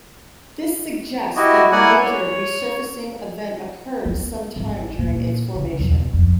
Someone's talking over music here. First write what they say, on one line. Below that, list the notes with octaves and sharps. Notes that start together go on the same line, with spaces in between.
This suggests that a major resurfacing event occurred some time during its formation.
E4 F#4 G4 D#5
A#3 E4 D5 F#5 G#5
C#5
B3
G#1
A#2
C#3
E2 B2
F2